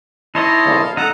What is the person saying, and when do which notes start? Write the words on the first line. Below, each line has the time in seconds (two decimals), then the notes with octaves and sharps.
Oh, yeah.
0.35 D#4 E4 C#5 D#5 A5 C6
0.83 F5
0.97 D#4 A4 F#5 A#5